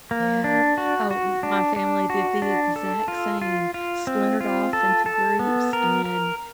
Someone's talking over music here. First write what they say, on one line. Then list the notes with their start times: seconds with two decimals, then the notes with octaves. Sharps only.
Yeah. Oh, m my family did the exact same, splintered off into groups, and,
0.11 A#3
0.44 D4
0.78 F#4
1.11 F#4
1.43 D4
1.76 D4
2.10 F#4
2.42 D4
2.76 A4
3.08 F4
3.42 F4
3.74 F4
4.07 C4
4.41 F4
4.73 A4
5.06 A4
5.39 B3
5.73 A#4
6.05 A#4